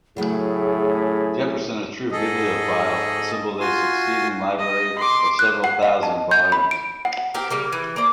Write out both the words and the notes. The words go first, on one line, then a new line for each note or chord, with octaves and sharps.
Jefferson, a true bibliophile, assembled a succeeding library of several thousand volumes.
A2 C#3 F#3 A3 G#4
G#2 G#4 A4 D#5
F4 F#4 G#5 C6
D#5
C6 D6
F#6
F#5
D#5
A5
G6
B5
D7
F#5
C4 G4 A#4
C#3 G3 A#3
E3
A#3 C5 D5